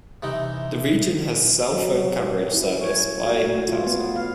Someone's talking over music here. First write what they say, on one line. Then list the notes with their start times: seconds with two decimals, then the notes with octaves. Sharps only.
The region has cell phone coverage service by TelCel.
0.23 C3 E3 D#4
1.73 F#3
1.94 G3
2.39 C#4
2.54 E4
2.79 C#5
3.26 F#4
3.43 A3
3.69 F4
3.87 B3
4.16 F5